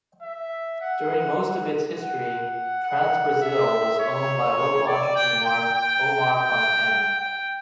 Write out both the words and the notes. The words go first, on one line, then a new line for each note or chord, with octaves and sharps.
During most of its history, Transbrasil was owned by local entrepreneur Omar Fontana.
E5
F#5
F#5
F#5
F#5
E5
C#5
D5
G5
G5
G5
G5
G5